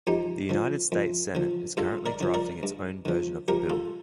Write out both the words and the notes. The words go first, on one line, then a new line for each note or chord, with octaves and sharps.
The United States Senate is currently drafting its own version of the bill.
F2 D#4 G4
D3 F3
F2
D3 F3
G2 F4 A4
A#4 D5
D3 F3
A#4 D5
G2
D3 F3
F2 G4 A#4
F4 A4